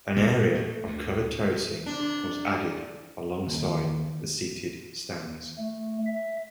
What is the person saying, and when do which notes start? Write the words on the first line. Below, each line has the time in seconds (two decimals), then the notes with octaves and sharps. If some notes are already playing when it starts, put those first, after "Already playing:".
An area of covered terracing was added alongside the seated stands.
0.16 A#2
0.55 A3
0.87 D2
1.86 C3 D4
3.47 D#2
5.58 A3
6.06 E5